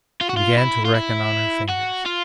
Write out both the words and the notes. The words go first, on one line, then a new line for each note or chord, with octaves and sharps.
She began to reckon on her fingers.
F4
F#4
F4
E4
F4
E4
F#4
F4